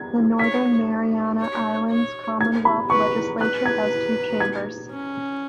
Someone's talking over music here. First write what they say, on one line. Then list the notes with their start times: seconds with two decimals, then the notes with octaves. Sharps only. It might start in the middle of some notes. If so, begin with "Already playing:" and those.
The Northern Mariana Islands Commonwealth Legislature has two chambers.
Already playing: G#6
0.39 C#5 B6
1.40 C#5
1.90 C#5
2.41 G#6
2.65 B5
2.90 B4 C#6
3.40 B4 F#6
3.66 G#6
4.40 G#6
4.91 C#4